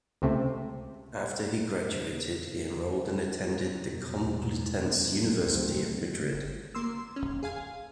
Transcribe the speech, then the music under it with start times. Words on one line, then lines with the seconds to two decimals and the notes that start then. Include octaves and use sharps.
After he graduated, he enrolled and attended the Complutense University of Madrid.
0.22 C#2 C3 A3
3.83 E2 G2 B2
5.38 G#1 D2 D#3 F#3 A3 C4
6.33 G1
6.75 A#3 C6 E6
7.16 C#4
7.43 G#4 F5 G#5